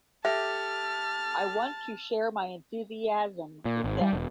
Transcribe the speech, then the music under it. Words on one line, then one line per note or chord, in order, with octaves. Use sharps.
I want to share my enthusiasm with them.
G4 A4 E5 A5 F6
A#2
G#1
G3
E1